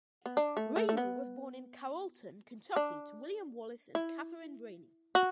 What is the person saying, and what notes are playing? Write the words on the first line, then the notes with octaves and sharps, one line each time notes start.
Raney was born in Carrollton, Kentucky, to William Wallace and Katherine Raney.
B3
D4
A3
A3
A3
B3
D4
E4
F#4